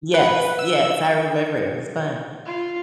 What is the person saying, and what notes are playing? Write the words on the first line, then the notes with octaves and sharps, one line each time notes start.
Yes, yes, I remember it was fun.
B4
E6
F4